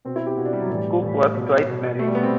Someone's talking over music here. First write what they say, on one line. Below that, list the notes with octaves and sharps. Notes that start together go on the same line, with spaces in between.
Cook was twice married.
B2 C4
E4
G4
B2 F#4
D4
G3
F#3
A2 E3 G3
A2 E3
B2
B2
B2 A3
G3
B3
C4